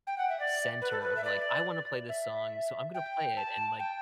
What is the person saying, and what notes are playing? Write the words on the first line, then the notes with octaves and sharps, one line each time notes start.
center of, like, "I wanna play this song, so I'm gonna play it," and, like,
G5
F#5
E5
D5
B4
A4
B4
E5
D5
E5
G5
A5
G5